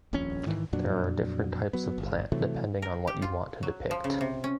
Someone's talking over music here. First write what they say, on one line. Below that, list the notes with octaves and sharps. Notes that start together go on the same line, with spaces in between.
There are different types of plant depending on what you want to depict.
D#1 A#1 F2 C#4
G#2 D#3 E3
F2 A#2 F#3 D4
F#3 B3
G1
C3 E3 F#3 A3
A#4
G4
F4
F#3
F3
C#3
C3
C#4